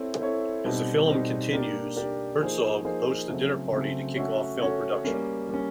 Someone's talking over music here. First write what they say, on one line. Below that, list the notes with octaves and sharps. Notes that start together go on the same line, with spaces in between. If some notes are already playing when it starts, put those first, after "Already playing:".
As the film continues, Herzog hosts a dinner party to kick off film production.
Already playing: C4 E4 A4 C#5
C4 E4 A4 C#5
B2 G3 C4 D#4
B2 G3 C4 D#4
A#3 D4 G4 A#4 D5
A#3 D4 G4 A#4 D5
F3 A#3 D#4 G#4 C5
F3 A#3 D#4 G#4 C5
C#3 F#3 A3 C4
C#3 F#3 A3 C4
A3 C#4 F#4 A4 C#5
A3 C#4 F#4 A4 C#5
G3 A#3 C#4
G3 A#3 C#4